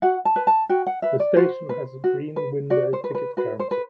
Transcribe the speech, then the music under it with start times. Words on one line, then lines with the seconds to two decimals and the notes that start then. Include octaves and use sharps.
The station has a Green Window ticket counter.
0.02 F#4 F#5
0.25 A5
0.36 B4
0.47 A5
0.69 F#4 G5
0.87 F#5
1.02 B4 E5
1.20 D5
1.36 F#4 C5
1.69 B4
2.04 F#4
2.36 B4
2.70 F#4 D5
2.93 C5
3.04 B4
3.15 B4
3.37 F#4 B4
3.60 C5
3.71 B4